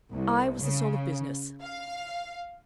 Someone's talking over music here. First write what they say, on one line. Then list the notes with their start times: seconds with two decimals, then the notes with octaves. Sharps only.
I was the soul of business.
0.11 C2
0.61 C#3
1.62 F5